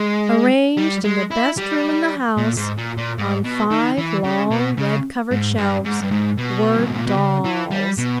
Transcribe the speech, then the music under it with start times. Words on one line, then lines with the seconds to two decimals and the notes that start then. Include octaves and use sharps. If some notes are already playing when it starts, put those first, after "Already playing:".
Arranged in the best room in the house, on five long red-covered shelves, were dolls.
Already playing: G#3
0.78 G3
1.04 G#3
1.31 E4
1.58 G3
2.37 A#2
2.57 G#2
2.77 A#2
2.97 A#2
3.18 G#2
3.44 B2
3.71 D#3
3.98 E3
4.24 C#3
4.50 B2
4.78 C#3
5.31 G#2
5.57 G2
5.85 G#2
6.02 G2
6.11 G#2
6.38 B2
6.76 G2
6.87 G#2
6.96 A#2
7.07 B2
7.17 C#3
7.44 E3
7.71 G3
7.98 B2